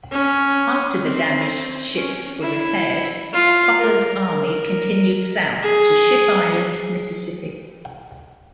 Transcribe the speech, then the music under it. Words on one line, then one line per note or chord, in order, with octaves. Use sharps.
After the damaged ships were repaired, Butler's army continued south to Ship Island, Mississippi.
C#4
C4
C#4
E4
F4
A#4
A#4
G#4